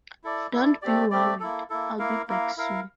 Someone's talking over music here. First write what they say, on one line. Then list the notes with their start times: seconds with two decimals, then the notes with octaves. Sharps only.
Don't be worried, I'll be back soon.
0.24 E4 A4 D5
0.52 E4 A4 D5
0.82 A3 C4 G4 D5
1.11 A3 C4 G4 D5
1.40 A#3 E4 A4
1.70 A#3 E4 A4
1.99 A#3 E4 A#4 F5
2.28 A#3 E4 A#4 F5
2.57 E4 A#4 F5